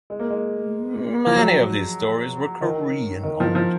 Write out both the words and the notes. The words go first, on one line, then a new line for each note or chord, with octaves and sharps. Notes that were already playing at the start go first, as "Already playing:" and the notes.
Many of these stores were Korean owned.
G#3
A#3
G#3
F3
F#3
D#3
D#3
F3
F3